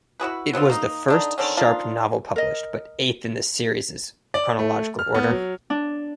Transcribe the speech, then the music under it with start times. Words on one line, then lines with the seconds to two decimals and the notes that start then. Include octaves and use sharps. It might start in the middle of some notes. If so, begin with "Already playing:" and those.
It was the first Sharpe novel published, but eighth in the series' chronological order.
0.20 E4 F#4 G#4 B4
0.53 F#3 B3 C4 F4
0.70 A#3 D#4
1.08 D3 D4 D#4
1.38 D3 D#3 C4 C#4
1.57 F3 D4 D#4 F4
2.36 A#4 D#5
4.34 D5
4.59 A3
4.99 F6
5.15 B3
5.31 F#3
5.70 D4